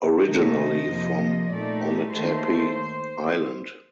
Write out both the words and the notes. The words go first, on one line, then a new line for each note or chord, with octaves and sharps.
Originally from Ometepe Island.
C3 D#3 A3 D#4 D#5
F2 C3 F3 A#3
A#2 A3 D#4 D5
G4
D#2 D#3 A3 C5